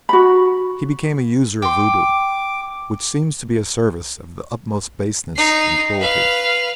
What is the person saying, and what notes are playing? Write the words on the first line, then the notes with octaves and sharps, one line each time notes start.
He became a user of Voodoo, which seems to be a service of the utmost baseness and cruelty.
F#4 B5
G5 C6 D6
D#4 C7
B4 F5